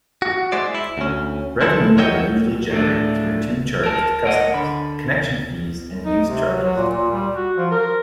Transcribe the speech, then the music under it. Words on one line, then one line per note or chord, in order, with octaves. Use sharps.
Revenues are usually generated through two charges to customers: "connection fees" and "use charges".
F#4
G#3 E4 C5 D5
E4
D2 C#4
D3 G#3 C4 E4 A4
A#4 C#5 D#5 E5 F#5 G5
B1
A2 A3 D4
A#4 A5
A#4 C#5 D#5 F#5
D3 B5
D#4
C3
F#3
F#3
A#2
A#2
G3
F#4
F3
A#4